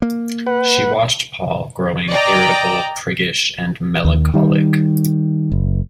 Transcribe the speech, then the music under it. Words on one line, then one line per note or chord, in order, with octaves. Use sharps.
She watched Paul growing irritable, priggish, and melancholic.
A#3
B4 F#5
D5 D#5 G5 A#5
D#2
D#3 G3
F#1